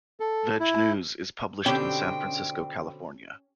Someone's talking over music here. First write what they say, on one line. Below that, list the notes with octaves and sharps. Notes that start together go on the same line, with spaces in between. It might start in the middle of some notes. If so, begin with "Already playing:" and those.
"VegNews" is published in San Francisco, California.
A4
E4
B2 D3 C4 C#4 G4 G5